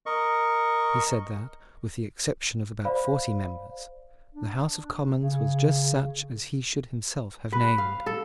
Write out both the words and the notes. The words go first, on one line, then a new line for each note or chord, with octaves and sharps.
He Said that, with the exception of about forty members, the House of Commons was just such as he should himself have named.
A#4 D#5 C#6
C5 D5 F5 B5
D4
C#3
B4
F5
A4